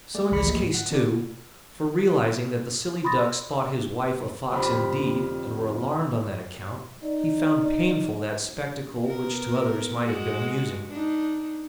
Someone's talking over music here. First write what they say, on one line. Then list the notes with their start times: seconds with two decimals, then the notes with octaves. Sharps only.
So in this case, too, for realising that the silly ducks thought his wife a fox indeed and were alarmed on that account he found painful that spectacle which to others might have been amusing.
0.15 A3 G#4 D5
0.32 G#1 C#2 E3 D5 B5 C#7
0.46 F3 A3 A#3 G4 D#5
0.62 G#2
0.74 F#5
0.91 C#4 D4 E4 F#4 A#4 D5
3.04 B5 C6 D#6 A6 A#6
4.52 F2 D3 G4 B5
7.03 D#4 D5
9.04 B3 A#4
10.03 G#3 F#4
10.90 D4 D#4